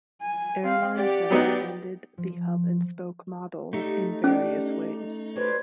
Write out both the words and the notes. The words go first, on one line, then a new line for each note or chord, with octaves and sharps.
Airlines have extended the hub-and-spoke model in various ways.
G#5
C4 F5
G4 D5 F#5
F#3 B3 D#4
F3
A3 D#4 G4 E5 F#5
C#4 D4 G4
F#3 D4 G4 B4 C5 G#6